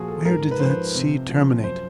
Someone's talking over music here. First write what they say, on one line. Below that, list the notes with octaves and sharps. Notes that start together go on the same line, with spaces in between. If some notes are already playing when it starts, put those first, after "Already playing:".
Where did that sea terminate?
Already playing: A#2 F3 F4 F#4 G#4
A4
G#2 A#4
B4
F3 C5
C3
F3
F#2 C5